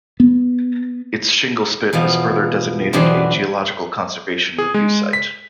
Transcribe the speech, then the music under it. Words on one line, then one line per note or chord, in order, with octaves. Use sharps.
Its shingle spit is further designated a Geological Conservation Review site.
B3
E2 B2 F3
E2 B2 D3 F#3 C4 D4
G#4
G#3
B6